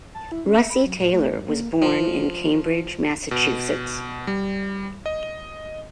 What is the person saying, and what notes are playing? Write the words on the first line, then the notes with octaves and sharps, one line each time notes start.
Russi Taylor was born in Cambridge, Massachusetts.
A5
E4
C#4
E5
B5
F#3
A2
A3
G2
A#3
F3
B2
G3
D#5